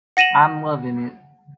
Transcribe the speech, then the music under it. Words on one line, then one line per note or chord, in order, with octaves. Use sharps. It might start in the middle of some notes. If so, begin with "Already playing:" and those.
I'm loving it.
F#5 A#6 D#7 E7 F#7